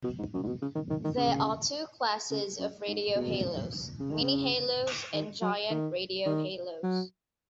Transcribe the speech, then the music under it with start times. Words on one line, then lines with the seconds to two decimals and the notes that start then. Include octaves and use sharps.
There are two classes of radio halos: mini-halos and giant radio halos.
0.05 B2
0.19 G#2
0.34 F#2
0.44 G#2
0.47 B2
0.62 C#3
0.75 D#3
0.90 D#3
1.05 D#3
1.18 C#3
2.31 C#3
2.59 F#2
2.88 G#2
3.16 B2
4.00 C#3
4.12 D#3
4.22 C#3
5.14 D#3
5.42 F#3
5.70 D#3
6.26 D#3
6.83 F#3